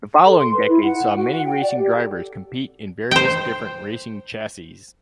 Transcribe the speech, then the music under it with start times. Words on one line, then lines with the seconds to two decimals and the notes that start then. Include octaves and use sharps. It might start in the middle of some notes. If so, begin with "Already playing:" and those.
The following decades saw many racing drivers compete in various different racing chassis.
0.25 A4
0.37 C6
0.54 B4
0.68 E4
0.83 F#5
1.17 F#4
1.30 F#5
1.44 G5
1.63 D5
1.78 G4
1.92 A4
3.11 C5 G5